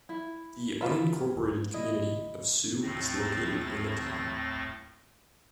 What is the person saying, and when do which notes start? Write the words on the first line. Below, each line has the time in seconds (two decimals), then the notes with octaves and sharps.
The unincorporated community of Sioux is located in the town.
0.09 E4
0.81 F4 B4 E5
1.74 E4 D#5
2.82 D#2 A2 A3 C4 A6 A#6